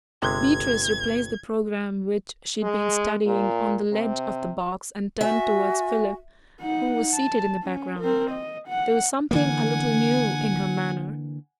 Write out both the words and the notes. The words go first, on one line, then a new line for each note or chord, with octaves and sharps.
Beatrice replaced the programme which she had been studying, on the ledge of the box, and turned towards Philip, who was seated in the background. There was something a little new in her manner.
G1 C3 G#3 G#6
G#3
A#2
C3
F#4 E5 G#5
D#4 F#5
A5
C#4
C4 A#4
D#5
F#5
D3 E3 A#3 F#5 G#5